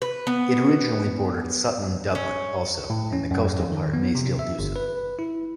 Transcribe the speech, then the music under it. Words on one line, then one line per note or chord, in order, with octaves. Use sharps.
It originally bordered Sutton, Dublin also, and the coastal part may still do so.
B4
B3
C#4
A2
C#4
F#2
F2
D#3
B3
C3
E5
G1
B4
E4